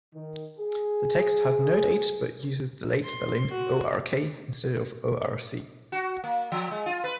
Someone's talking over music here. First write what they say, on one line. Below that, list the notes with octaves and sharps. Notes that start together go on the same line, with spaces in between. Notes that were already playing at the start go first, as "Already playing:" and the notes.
The text has no date, but uses the late spelling "Ork" instead of "Orc".
D#3
G#4
C6
F#4
F#4
A#3
F3
G#3
F4
B4